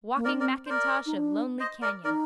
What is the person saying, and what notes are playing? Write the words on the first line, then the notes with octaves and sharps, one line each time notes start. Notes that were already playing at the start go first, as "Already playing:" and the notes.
Walking Mackintosh of lonely canyon.
A#3
C4 A#4 D5
A#4 D5
C5
A#4 D5
D#4
D4
C5 D#5
A#4 D5
D#4 A#4 D5